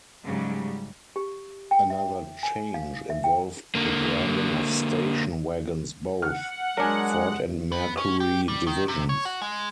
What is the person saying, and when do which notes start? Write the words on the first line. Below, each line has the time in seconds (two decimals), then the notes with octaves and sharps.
Another change involved the branding of station wagons both Ford and Mercury divisions.
0.23 G#2 C#3 F#3 G3
1.16 G4
1.71 G5
1.90 E5
2.43 G#5
2.74 F5
3.10 E5
3.24 G5
3.75 D3 A#3
6.22 F#5 F6
6.77 F#3 G#3 D4 A#4 G#5
7.72 B3
7.98 C#4
8.20 G4
8.48 G3
8.67 D#3
8.88 C3
9.09 C#5
9.25 F#4
9.42 G#3